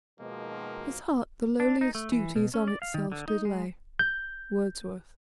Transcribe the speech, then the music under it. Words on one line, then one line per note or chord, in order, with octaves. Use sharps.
"His heart The lowliest duties on itself did lay." --WORDSWORTH.
B2 D#3 F3 G#3 A#3
D4
D#4
A3
E3
B2
C#4
D5
F5
D#3
D3
D#4
G#3
G6